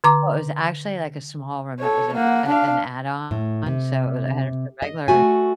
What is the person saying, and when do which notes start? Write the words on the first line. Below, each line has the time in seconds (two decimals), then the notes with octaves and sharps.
Oh, it was actually, like, a small room, it was an, uh an add-on, so it was it had just a regular,
0.04 D3 A#5 D6
1.79 A4 C#5
2.14 A#3 F#5
2.48 D4 F5
3.31 A2
3.66 C3
4.82 D#5
5.08 A3 F#4 G#5